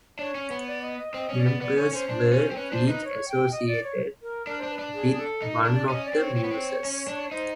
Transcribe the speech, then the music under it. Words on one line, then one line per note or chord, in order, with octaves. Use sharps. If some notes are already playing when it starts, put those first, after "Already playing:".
Members were each associated with one of the Muses.
D4 C#5
C#4
B3
D5
D#5
D#5
C4 D#5
C#4 D#5
D5
B3
B3 D5
C#4 C#5
C#4 C5
D4 C5
C#4
C4
C#4 B4
D4 C5
D#4 B4
C#5
G5
D#5
D5
C#5
A#4
D4 A#4
D4 C5
B4
D4
G#4
A4
D#4
A#4
D4
D5
C#4 D#5
D5
C4
C#5
C4
B3
C4
C#4
D4
D#4 C5